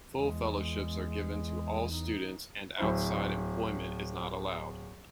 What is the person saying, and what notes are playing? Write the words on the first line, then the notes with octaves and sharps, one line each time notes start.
Full fellowships are given to all students and outside employment is not allowed.
E2 G#3
D#4
D1 E4 C5